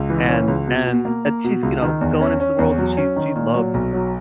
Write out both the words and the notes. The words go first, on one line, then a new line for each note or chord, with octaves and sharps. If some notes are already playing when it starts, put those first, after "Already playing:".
And and and she's, you know, going into the world, and she she loves
Already playing: C#2
E3
C#4
C#2
B2
B2
A#3
A#3
B2
C#2
D#3
E2
C#4
C#4
E2
F#3
C#4
D#3
A#2
F#3
B1
F#3